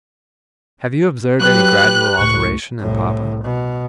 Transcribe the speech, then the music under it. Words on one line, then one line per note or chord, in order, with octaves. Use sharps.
Have you observed any gradual alteration in Papa?'
F#3 G4 B4 F#6
C#2 A2 C#6
C2 A2
B2